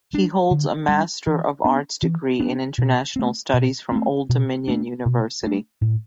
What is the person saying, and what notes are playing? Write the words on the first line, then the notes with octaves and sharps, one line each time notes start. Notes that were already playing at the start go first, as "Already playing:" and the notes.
He holds a Master of Arts Degree in International Studies from Old Dominion University.
G3 D4
D3
G3 D4
E3
B3 D4
E3
B3 D4
B2
A3 C4
B2
A3 C4
B2
A3 D4
B2
A3 D4
A2